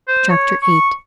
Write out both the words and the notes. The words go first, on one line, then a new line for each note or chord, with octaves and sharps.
Chapter VIII.
C5
C#5
C#6